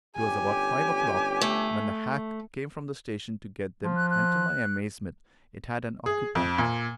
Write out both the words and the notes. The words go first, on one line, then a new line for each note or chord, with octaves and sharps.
It was about five o'clock when the hack came from the station to get them, and, to my amazement, it had an occupant.
G1 C#4 G4 G#5
A3
F3
F#6
F#6
G#4
F2
A#2